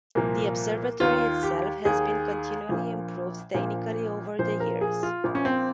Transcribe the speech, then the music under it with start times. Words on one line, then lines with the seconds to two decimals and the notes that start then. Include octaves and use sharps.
The observatory itself has been continually improved technically over the years.
0.15 C2 A#2 F3 A#3
1.00 D#2 D#3 F4
1.43 G4
1.85 D#2 D#3 G#4
2.69 A#1 A#2 F3
3.54 A#1 A#2 F3
4.39 A#1 A#2 F3 C5
4.60 A#4
4.81 G#4
5.03 F4
5.24 A#1 A#2 F3
5.35 C#4
5.45 C4